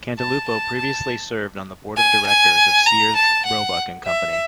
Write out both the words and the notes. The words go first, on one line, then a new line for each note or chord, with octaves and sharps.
Cantalupo previously served on the board of directors of Sears, Roebuck and Company.
A5
A5
A5
G#5
G#5
A#5
A5
F#5
E5